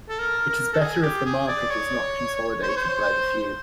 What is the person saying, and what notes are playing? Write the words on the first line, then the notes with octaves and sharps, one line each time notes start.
It is better if the market is not consolidated by the few.
A4
A#4
A#4
A4
G#4
G4
G#4
D5
C#5
C5
C#5
C5